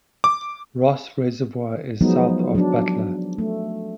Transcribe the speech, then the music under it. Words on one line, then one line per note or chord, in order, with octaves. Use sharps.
Foss Reservoir is south of Butler.
D6
F3 F#3 G#3 B3 D#4
F#3 D4
A3